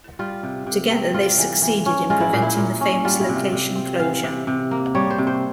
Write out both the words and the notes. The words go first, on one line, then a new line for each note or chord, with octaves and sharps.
Together they succeeded in preventing the famous location closure.
G3 F4
C3
C3
C4
G3 F4
E3
E3
C#4
G#3 F4
E4
A#2
E4
A#2
C#4
G3 F4
E4
C3
F4
C3
C4
E3 F5
C3
C3
A#3
G3 C#5
C5
C3
C5